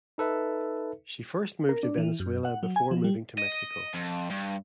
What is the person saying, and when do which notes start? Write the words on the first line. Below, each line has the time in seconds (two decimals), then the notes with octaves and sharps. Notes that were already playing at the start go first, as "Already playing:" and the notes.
She first moved to Venezuela before moving to Mexico.
0.18 D#4 A4 B4 E5
1.69 A#4
1.83 D4
1.98 E3
2.20 F#2
2.45 F#5
2.63 F#3
2.76 G#5
2.91 F3
3.04 G3
3.39 D#5
3.95 F2
4.31 G2